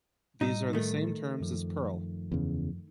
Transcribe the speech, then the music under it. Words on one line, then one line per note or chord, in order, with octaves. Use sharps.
These are the same terms as Perl.
A2 G3 D#4
D#3 A3
F#2 F3
E2 C#3